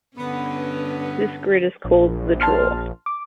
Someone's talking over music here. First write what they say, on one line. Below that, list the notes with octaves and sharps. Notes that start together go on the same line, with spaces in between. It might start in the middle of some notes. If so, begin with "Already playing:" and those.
This grid is called the "Draw".
G2 D3 B3 C#4
A#1
A5 C6 F6
D6